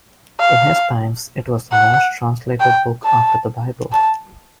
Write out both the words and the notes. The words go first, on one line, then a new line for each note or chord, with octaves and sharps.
In his times, it was the most translated book after the Bible.
F5
F#5
G5
A5
A5